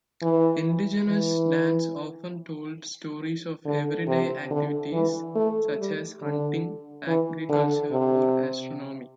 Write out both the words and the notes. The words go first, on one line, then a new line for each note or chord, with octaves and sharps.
Indigenous dance often told stories of everyday activities such as hunting, agriculture, or astronomy.
E3
E3
D3
C3
D3
E3
A3
G3
D3
E3
D3
C3